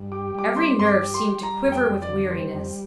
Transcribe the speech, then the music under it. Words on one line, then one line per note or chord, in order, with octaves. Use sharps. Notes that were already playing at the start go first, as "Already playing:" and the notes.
Every nerve seemed to quiver with weariness.
Already playing: G2
G4 D6
G3 D6
C4 C6
G2 C6
D6
G4
C6
G3
G3 A#5
F2
G5
F2
D5
D3
G3 C5
F2